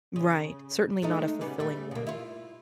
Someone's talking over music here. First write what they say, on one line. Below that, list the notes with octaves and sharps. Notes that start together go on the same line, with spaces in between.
Right, certainly not a fulfilling one.
C#3
G#3 A3 D#4
C#3 G3 B3
G3 A3
B2 A#3
E4 F4